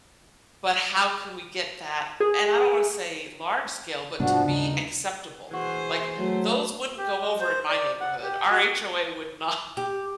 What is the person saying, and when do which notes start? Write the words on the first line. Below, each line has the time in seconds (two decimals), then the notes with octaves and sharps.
but how can we get that, and I don't wanna say large scale, but to be acceptable. Like, those wouldn't go over in my neighborhood. Our HOA would not
2.20 G#4
4.20 G#2 C3 F3 B3 D4 F#4
4.45 D#2 C#3 D#4
5.51 E3 F#4 G#4 C5
6.18 F#3 A3
6.98 G4
7.21 G#3
7.40 C5
7.69 D5
8.00 F#5
8.23 G4
8.50 F#4
9.77 G4